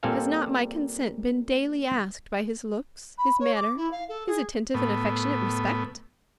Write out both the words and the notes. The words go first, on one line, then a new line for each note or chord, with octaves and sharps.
Has not my consent been daily asked by his looks, his manner, his attentive and affectionate respect?
A#2 G3 C4 A4 F5 G#5
B5
C#5
D6
E4
F5
A4
G#4
A2 B3